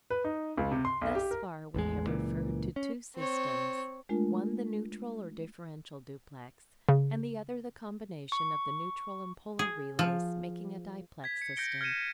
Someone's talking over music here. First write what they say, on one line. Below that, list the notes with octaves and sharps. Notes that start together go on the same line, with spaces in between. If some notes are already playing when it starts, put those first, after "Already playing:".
Thus far we have referred to two systems, one the neutral or differential duplex, and the other the combination of the neutral and polar relays, making a diplex system.
B4
D#4
C#2
C3
C6
B1
G4
A#4
A1 E2 G#3
C#2 A#2 E3
C#4
C4 C#5
G#3 A3 D4 F4 A#4
C#3
C#6
G#4
F3
G#6 B6
C#7
G6 A#6 C#7 D7 G7
F6 G#6 A#6 C#7 D#7 E7
C#7